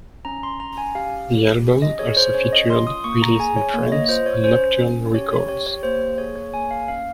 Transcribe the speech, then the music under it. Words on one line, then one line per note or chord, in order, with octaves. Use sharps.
The album also featured release in France on Nocturne Records.
C#4 A#5
C6
C#4 A#5
G#5
G4 F5
G4
C#4
D#5
G#4 C#5
C5
C#4 C#5
D#5
F4 C6
D#6
A#3 C#6
A#5
G#4 G#5
C#5
A#3 C#5
D#5
F4 C5
C#5
C#4 C5
C#4
G4 C#5
C#5
G4 C#5
C#5
A#3 C5
G#4 C#5
C#5
A#3 G#5
F5
C#4 F5